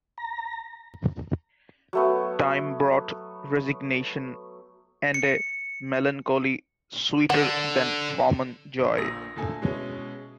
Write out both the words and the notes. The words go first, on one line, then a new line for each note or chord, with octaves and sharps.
Time brought resignation, and a melancholy sweeter than common joy.
A#5
F#3 A3 B3
C#7
D3 F#5
G1
A#1 A#2 D#6 E6 A#6
D2 A#2 A4 G#5
B2 G#3 C#4 E4